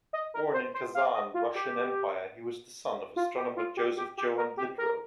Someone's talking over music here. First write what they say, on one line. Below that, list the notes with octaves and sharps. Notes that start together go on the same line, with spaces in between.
Born in Kazan, Russian Empire, he was the son of astronomer Joseph Johann Littrow.
D#5
A#4
C5
C5
F5
D#5
F4
G4
F4
G4
F4
G4
G4
G4
A#4
G4
A#4